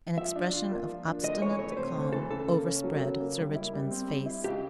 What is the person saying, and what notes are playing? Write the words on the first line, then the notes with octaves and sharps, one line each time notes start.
An expression of obstinate calm overspread Sir Richmond's face.
F3 E5
D4
F4
A#3
F3
D4
D2 D#5
E3 C#5
A3 C#5
B4
C3 C5
D2
E3 A4
C#3 A4
A#3
C#4
F#3
C#3
A#3
G3
E4
G3
C4
G3
E4
C#2 G4